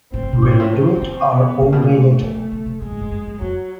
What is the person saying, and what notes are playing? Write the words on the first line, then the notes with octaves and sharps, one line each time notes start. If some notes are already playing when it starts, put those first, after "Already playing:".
We'll do it our own way later.
A2 C4
G#2
A#2
A2 C4
G#2
A2
C4
A2
A#2
B3
A#2 A#3
B2
A#2
A3
B2
B2
B2
C3
B2 G#3
A2
G#2
G2
F#2
F2 F#3